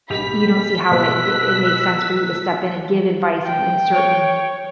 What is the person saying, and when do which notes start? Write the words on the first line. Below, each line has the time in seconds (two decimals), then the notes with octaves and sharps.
y you don't see how it it it makes sense for you to step in and give advice in in certain
0.10 B1 G4 B5 B6 F7
0.91 B2 E6 F#6
3.46 G5
3.94 C#5